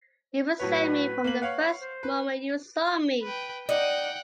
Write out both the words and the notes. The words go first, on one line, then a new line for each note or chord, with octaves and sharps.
You resent me from the first moment you saw me!
A2 F#3 B4 C#5
A#3 F#7
C#5 F5 F#5
C5
B4
B4 G5
D#4 D5 F#5 G5